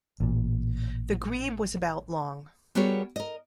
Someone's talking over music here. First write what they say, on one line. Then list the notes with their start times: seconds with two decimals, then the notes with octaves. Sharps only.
The grebe was about long.
0.20 A1 A#2
2.75 G3 B3 F#4 G#4 A#4 C#5
3.16 A#4 D#5